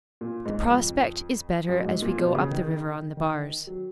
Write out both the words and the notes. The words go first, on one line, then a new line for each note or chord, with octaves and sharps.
The prospect is better as we go up the river on the bars.
A#2
G#2
F2
F#2
G#2
A#2
B2
C#3
D#3
D#3
F#3